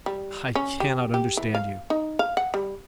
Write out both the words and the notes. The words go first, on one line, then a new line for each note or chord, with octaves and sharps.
"I cannot understand you!"
G3
C#4
G4
G4
E3
F5
D#4
F5
F#5
G3